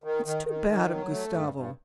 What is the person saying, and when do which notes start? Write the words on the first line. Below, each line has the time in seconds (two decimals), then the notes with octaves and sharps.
It's too bad of Gustavo!
0.04 D#3
0.26 D#3
0.47 D#3
0.68 D#3
0.90 F#3
1.11 A3
1.32 G2
1.54 G2